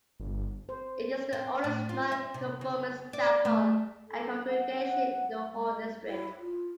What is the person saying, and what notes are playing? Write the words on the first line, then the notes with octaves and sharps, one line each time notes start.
It is the oldest Non-conformist chapel and congregation in the whole district.
G1
C5
C4
A2
F4
E5
C3
C#3
D5
A3
A4
F#5
G#3
E4
F4